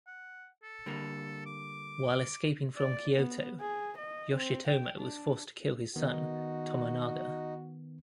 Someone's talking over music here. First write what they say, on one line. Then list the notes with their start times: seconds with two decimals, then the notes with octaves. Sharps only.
While escaping from Kyoto, Yoshitomo was forced to kill his son Tomonaga.
0.07 F#5
0.63 A4
0.86 D3 G3 A#3
1.46 D6
2.76 D5
3.15 B3
3.60 G#4
3.97 D#5
4.35 C4
4.67 G5
4.98 D4
5.96 D#3 B3 D#4 F#4